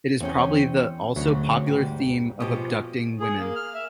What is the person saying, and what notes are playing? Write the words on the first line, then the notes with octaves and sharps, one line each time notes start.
It is probably the also popular theme of abducting women.
E2 C4 C#4 G5
D2 C#3 F#3
G#2 G3
B2 F3 G#3 G4 D#5
G#4
A#3
F6
E5